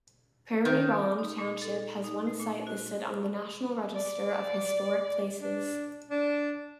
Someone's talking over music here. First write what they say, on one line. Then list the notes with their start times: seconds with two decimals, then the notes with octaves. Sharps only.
Prairie Ronde Township has one site listed on the National Register of Historic Places.
0.65 D#3
1.19 D#4
1.38 A#2
1.62 A4
2.04 D#4
2.27 A3
2.40 A#2
2.67 F#4
3.96 D5
5.41 D4
6.10 D4